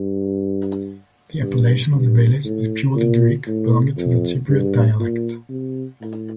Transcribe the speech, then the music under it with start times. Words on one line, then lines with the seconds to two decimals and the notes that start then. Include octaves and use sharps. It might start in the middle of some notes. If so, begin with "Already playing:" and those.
The appellation of the village is purely Greek, belonging to the Cypriot dialect.
Already playing: G2
1.43 G2
1.93 G2
2.45 A2
2.95 A#2
3.46 A2
3.97 F2
4.48 G2
4.99 A#2
5.49 C3
6.01 A2